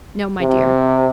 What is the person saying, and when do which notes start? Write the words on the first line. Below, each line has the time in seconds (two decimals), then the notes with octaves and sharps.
"No, my dear."
0.41 C3